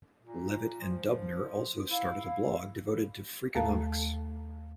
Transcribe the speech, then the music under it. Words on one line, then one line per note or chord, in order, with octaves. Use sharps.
Levitt and Dubner also started a blog devoted to Freakonomics.
A#2
F3
E4 F5
D#2 A3 A4 F5 A5 A#5